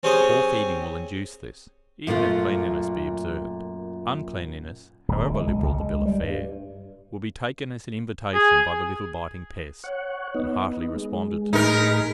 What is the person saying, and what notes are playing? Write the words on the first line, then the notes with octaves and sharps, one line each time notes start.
Poor feeding will induce this, even if cleanliness be observed; uncleanliness, however liberal the bill of fare, will be taken as an invitation by the little biting pests, and heartily responded to.
C4 C#4 G4 G#4 C5 C#5
F#2 A#2 A3 F4
D1
D3
G#3
B1
C#2
G#3
G3
G2
G#4
C#5 F#5
B3 D#4
G#3
A2 D#4 G#4 A#4 B5